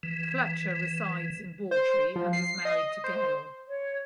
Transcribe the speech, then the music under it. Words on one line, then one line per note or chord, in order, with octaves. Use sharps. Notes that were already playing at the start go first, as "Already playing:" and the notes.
Fletcher resides in Bawtry and is married to Gail.
E3
C5
F3
C7
D#5
C5
C#5